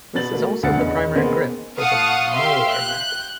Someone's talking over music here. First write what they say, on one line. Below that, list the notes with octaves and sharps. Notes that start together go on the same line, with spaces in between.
This is also the primary grip for the Moeller method.
B2 B3 A6 F#7
A3 A#3 F#4
D2 F#5 F#6 A6 C#7
E2 B3 C#4 D#4
D#3 A#3 B3 G#4 C5
F5 F#5 A5 C#6 D#6
G4 E5 F5 C6
F#6 G6